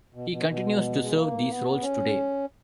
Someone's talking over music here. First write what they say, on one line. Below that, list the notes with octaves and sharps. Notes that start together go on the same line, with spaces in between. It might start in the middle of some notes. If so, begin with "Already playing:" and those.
He continues to serve these roles today.
B2
B2
B2
G#3
A#3
B3
C#4